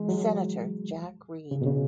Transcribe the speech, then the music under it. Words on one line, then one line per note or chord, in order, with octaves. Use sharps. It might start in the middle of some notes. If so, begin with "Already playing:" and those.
Senator Jack Reed.
Already playing: E3 G#3
F#3
C#3
B2
C#3